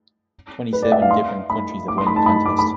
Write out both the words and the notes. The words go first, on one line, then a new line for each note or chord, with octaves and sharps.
Twenty-seven different countries have won the contest.
B4
D5
E5
F5
C6
B5
D6
C6
B5
A5
B5
D6
B5